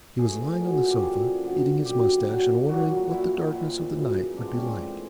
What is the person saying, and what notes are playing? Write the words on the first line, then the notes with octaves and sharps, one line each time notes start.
He was lying on the sofa, eating his moustache and wondering what the darkness of the night would be like.
A2 E3 G#4
A#2 F#3
G4
F#2 D3 F3 G#4
G2 D3 F#3
B2 F#3 G4
A#2 F#3
A#2 F#3 F#4
A#2 F#3 E4
E4
A#2 F3 D#4
F#2 C#3 E3
G#2 F3 D4
C4
C#4
C4
A2 E3